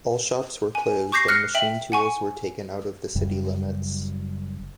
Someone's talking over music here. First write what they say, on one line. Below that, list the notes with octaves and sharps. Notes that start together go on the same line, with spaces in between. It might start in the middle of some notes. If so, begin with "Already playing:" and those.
All shops were closed, and machine tools were taken out of the city limits.
G#5
C#6 D6 G6 A#6 C7
F6 F#6 A#6 C7 C#7
E5 G5 F#7
F#5 G#5 C#6
F#1 F#2 C#3 G3